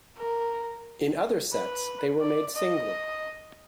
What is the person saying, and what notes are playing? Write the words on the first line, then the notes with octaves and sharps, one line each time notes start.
In other sets they were made singly.
A#4
B4
D5
D#5